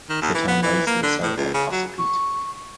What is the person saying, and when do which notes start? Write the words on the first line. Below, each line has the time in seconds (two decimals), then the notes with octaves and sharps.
The town lies to the south of Hosapete.
0.09 D#3
0.22 D#2
0.34 E3
0.47 B3
0.62 E3
0.86 A#3
1.03 D3
1.23 A2
1.37 C#2
1.54 C#3
1.71 F#3
1.98 C#6